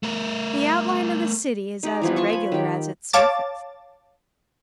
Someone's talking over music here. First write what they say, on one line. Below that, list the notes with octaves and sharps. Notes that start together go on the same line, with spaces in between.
The outline of the city is as irregular as its surface.
A3 A#4
D#4 G4 D5
E3 F3 B3
F4 A5 C#6
G#5 B5
D#3 G4
C#5 F5 A5 D6 A6